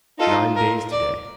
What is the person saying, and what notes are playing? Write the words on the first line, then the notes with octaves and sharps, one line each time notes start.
It's nine days today.
D#4 F4 A4
A#4
D5